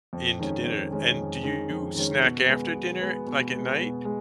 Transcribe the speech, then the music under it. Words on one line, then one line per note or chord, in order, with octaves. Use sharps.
into dinner. And, do you snack after dinner, like, at night?
F2
D#3 G#3 C#4
F2
D#3 G#3 C#4
F2
D#3 G#3 C#4
F2
D#3 G#3 C#4
B2
G#3 B3
B2
G#3 B3
B2
G#3 B3
B2
G#3